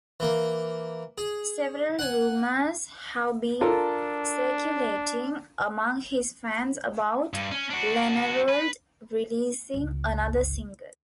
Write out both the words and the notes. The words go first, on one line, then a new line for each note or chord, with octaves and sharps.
Several rumours have been circulating among his fans about Lennevald releasing another single.
E3 A#3
G#4
F#5 G#5
D4 F4 A4 A#4
G2
C#4
D4 F#4
B4
G1 C#2